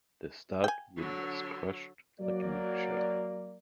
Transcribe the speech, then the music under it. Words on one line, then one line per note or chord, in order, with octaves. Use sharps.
The stout wood was crushed like an eggshell.
G5 G#5
D3 F#3
F#3 A#3 D5